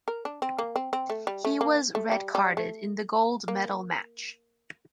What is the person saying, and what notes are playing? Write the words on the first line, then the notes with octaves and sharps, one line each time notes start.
He was red-carded in the gold medal match.
A#4
D4
C4
A#3
C4
C4
A3
G3
A3
A#3
A3
G3
G3
A3
A#3